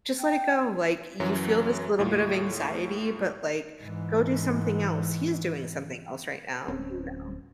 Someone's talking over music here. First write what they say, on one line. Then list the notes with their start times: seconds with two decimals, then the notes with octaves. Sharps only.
"Just let it go, like, you feel this little bit of anxiety, but, like, go do something else. He's doing something else right now." You know?
0.20 G5
1.20 F#2 E3 F#3
1.99 D#2 A2 F4
3.81 G#2 E3
6.68 D1 C4 C#4